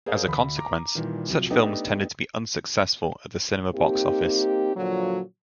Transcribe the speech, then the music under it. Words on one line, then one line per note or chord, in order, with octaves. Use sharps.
As a consequence, such films tended to be unsuccessful at the cinema box-office.
G#4 A#4 C5 D5 F5
D2 B5
A#5 D6
A#2 D#3 E3 G3
C3 F3 F#3
A3 B3 D4 D#4 G4
A#3 C4 D#4 G4
A#2 D3 F3 F#3